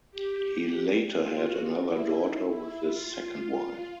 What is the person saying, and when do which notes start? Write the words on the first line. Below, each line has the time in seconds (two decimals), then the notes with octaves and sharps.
He later had another daughter with his second wife.
0.11 G4
0.45 G4
1.13 F4
1.46 F#4
1.81 E4
2.15 D#4
2.48 E4
2.83 F4
3.17 F4
3.50 F4